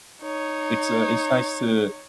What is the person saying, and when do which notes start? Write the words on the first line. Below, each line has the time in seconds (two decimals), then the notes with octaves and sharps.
It's, uh, it's nice to
0.22 D#4 C#5